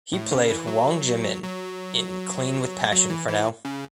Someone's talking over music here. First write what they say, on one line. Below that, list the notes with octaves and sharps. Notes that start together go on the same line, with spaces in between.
He played Hwang Jae Min in "Clean with Passion for Now".
A2
C#3
E3
F#3
F#3
F#3
E3
E3
C#3